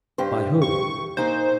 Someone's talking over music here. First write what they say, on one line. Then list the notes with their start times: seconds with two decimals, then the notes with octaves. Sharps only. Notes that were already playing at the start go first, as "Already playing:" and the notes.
"By whom?"
0.18 G2 G4 C5
0.62 C#6
1.17 A#2 D#4 C5